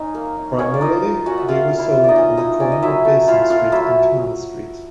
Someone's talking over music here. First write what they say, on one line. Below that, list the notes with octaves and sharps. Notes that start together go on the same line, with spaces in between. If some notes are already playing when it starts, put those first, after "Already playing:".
Primarily they were sold on the corner of Basin Street and Canal Street.
Already playing: C#4 D#4
A#3
D#4
A#3 C#4 C#5
D5
D#4 F4 D#5
A#3
C#4 F#4 F#5
E5
A#3 F4 F5
F4
E4 E5
A#3
D#4 D5 D#5
C#4
D#4 E4 D#5
C#4 D5
D#5
F#3 E4 E5
A3
E4 F4 F5
C#4 F4 F5
F#3 E4 E5